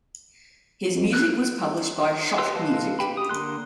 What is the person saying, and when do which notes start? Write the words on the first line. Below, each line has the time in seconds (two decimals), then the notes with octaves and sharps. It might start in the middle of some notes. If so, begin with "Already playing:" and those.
His music was published by Schott Music.
0.95 F2
1.13 F#6
2.38 G4 B4 C6 E6
2.55 B4 D#5 F5 A5
2.99 G4 G5 B5
3.17 G4 D#6
3.29 D3 A#3 C6 F#6